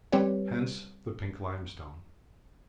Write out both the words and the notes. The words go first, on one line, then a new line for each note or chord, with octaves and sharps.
Hence the pink limestone.
G3 C4 G4 B4 C#5